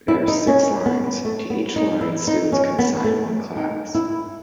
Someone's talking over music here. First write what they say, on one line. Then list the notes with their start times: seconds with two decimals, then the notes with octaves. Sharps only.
There are six lines; to each line students can assign one class.
0.08 E4
0.28 D#4
0.47 C#4
0.86 B3
1.25 A3
1.50 B3
1.76 D#4
2.01 E4
2.27 D#4
2.52 C#4
2.79 B3
3.04 A3
3.56 D#4
3.95 E4